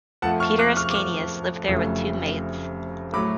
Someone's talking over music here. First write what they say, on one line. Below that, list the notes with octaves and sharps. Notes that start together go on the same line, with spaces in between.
Peter Ascanius lived there with two maids.
F2 F3 A3 F#5 A5
C#6 F6
D6 F#6
C#6 F6
D6
C#6 F6
F1 F2 C#3 F#3 A3
A2 F#3 A3 B5 D6